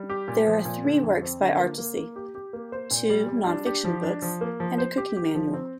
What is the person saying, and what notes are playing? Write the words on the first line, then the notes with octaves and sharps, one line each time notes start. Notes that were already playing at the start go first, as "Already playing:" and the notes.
There are three works by Artusi: two non-fiction books and a cooking manual.
Already playing: G3
G4
A#2
F3
A#2
D3
F2
C4
D3
A#3
A#3
A#3
G4
G4
A#3
C5
A#2
G3
G3
D4
G4
F3
D4
F3
A#3
F3
C5
G4
G4
F3
C4